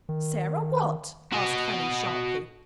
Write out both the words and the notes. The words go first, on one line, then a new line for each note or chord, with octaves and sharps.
'Sarah what?' asked Fanny, sharply.
D#3
F#4 D#5